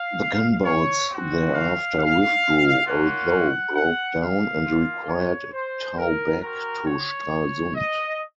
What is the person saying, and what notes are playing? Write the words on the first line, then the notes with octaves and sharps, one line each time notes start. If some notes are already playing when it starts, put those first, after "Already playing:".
The gunboats thereafter withdrew, although broke down and required a tow back to Stralsund.
Already playing: F5
C#5
C4 F#4
F5
F5
A#3 C#4 F4 F#5
F#5
F5
A#3 F4
C#5
C5
A#4
C4 F#4 A#4
C#5
D#5